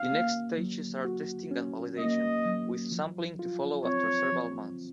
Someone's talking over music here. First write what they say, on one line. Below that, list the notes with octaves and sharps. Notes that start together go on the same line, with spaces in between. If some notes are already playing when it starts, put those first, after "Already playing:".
The next stages are testing and validation, with sampling to follow after several months.
Already playing: C#4 F#4 F5
A#3
F#3
F#4
C#4
A#3 D#5
F#3
F3
F4
C4 C#5
F3